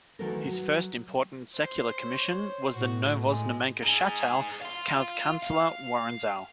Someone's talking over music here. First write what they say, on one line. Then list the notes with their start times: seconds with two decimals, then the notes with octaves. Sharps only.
His first important secular commission was the Novoznamenka chateau of Chancellor Woronzow.
0.19 D#3 E3 F#3 A3 A4 A#4
0.45 F#3
1.55 C5
1.99 C#5
2.75 A2 F#4
3.24 G#3
3.83 D#4 G#4
4.62 F5 C6
5.43 F5